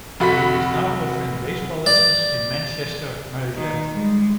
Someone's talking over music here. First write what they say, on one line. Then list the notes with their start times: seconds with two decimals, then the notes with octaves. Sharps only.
He is now offering baseball lessons in Manchester, Maryland.
0.20 F1 F#4 B5 B6
1.86 D5
3.56 D#3
3.93 G3 G#3